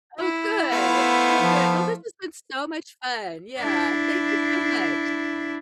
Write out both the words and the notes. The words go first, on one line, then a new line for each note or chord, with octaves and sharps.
Oh, good. Oh, good. Well, this has been so much fun. Yeah. Thank you so much.
E4
A3 B3 C5 F5
F3
D4 E4